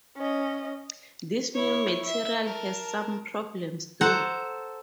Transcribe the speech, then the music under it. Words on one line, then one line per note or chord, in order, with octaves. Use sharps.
This new material has some problems, though.
C#4 D#5
E4 C#5
E5
A#4 A5
A4 C5 F#5 A5 A#5